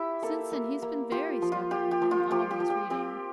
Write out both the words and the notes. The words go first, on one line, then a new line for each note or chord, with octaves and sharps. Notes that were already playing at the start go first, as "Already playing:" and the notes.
Since then he's been very stuck up, and always reading.
Already playing: E4 G4 E5
A#3 A4
A#3
A#3
F4 G4
F3
F4
F4 G4
G4
F3
F4
F3 G4
G4
F3
G4
C4 G4